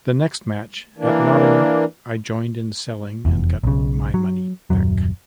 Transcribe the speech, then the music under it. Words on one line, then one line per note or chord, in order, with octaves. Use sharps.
The next match, at Nottingham, I joined in selling, and got my money back.
E3 A#3 D4
F1 E2
B1 C#3
F#3
D#1 F#2 F#3